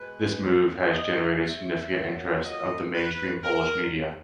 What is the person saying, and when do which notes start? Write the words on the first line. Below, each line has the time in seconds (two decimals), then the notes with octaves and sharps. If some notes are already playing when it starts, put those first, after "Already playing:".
This move has generated significant interest of the mainstream polish media.
Already playing: B2 G#3 B4
0.92 D#5
1.43 E5
1.92 A#2 F#3
2.43 D#5
2.94 B4
3.44 A#4